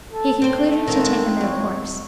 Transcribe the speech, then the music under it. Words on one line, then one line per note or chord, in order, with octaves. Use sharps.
He concluded to take a middle course.
A4
A3 C4 C5
D#3 F3 G#3 C4
E2 C#5